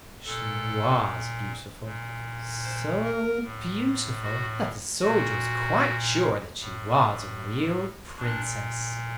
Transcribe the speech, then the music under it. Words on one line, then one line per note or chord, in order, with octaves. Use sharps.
She was beautiful, so beautiful that the soldier was quite sure that she was a real Princess.
A#2 A4
A#2
C5
A#4
A2
F#4
A#2 F#4
A2
A#2 D4